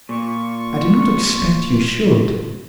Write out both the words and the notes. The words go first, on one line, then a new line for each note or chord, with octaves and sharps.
"I do not expect you should."
A#2 F4 C#6